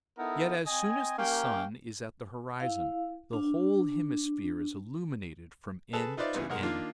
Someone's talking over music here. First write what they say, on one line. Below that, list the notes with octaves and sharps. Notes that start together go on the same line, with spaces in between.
Yet as soon as the sun is at the horizon, the whole hemisphere is illuminated from end to end.
B3 D#4 E4 A4 A#4
C4 D#5 G#5
A#3 C#4 G4 A#4 G5
E4 F5
D4
G#4 A4 B4 A5
D#4 F4 B4 C5 D5 E5
G2 C#3 E3 B3
B1 G#3 A#4 F#5
D#3 A#3 D4 F4